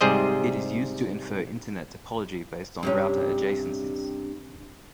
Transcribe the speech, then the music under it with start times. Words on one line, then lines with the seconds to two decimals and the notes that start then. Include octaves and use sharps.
It is used to infer Internet topology based on router adjacencies.
0.01 G#2 C3 G3 G#4 C5 D#5
2.83 G2 C3 C#4